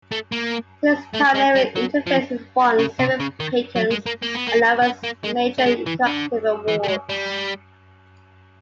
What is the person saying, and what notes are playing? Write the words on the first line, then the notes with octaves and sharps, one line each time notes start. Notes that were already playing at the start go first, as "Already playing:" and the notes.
These pioneering interfaces won several patents and numerous major interactive awards.
A3
A#3
A3
G#3
G3
F#3
F3
C#3
C3
C#3
D#3
F#3
G#3
A#3
A#3
B3
A#3
B3
A#3
G#3
A3
G#3
E3
D3
E3
A3
G#3
G3